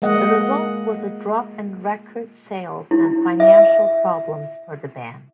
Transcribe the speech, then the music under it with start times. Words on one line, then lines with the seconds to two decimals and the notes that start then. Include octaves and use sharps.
The result was a drop in record sales and financial problems for the band.
0.02 G#3 A#3 D#5 F#5
2.91 E4
3.40 E5